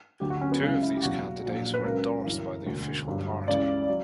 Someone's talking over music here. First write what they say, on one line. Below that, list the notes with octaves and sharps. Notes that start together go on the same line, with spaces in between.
Two of these candidates were endorsed by the official party.
D2 D3 F#3 G4
F#4
C#4
B3
C#2 C#3 F#3 C#4
E4
G4
F#1 E2 B2 F#3 F#4
A#1 A#2 F#3
B4
C#2 C#3 F#3 A#4
G1 F#2 E3
E1 D2 D3
G1 G2 F#3
C#2 C#3 E3 D5
F#3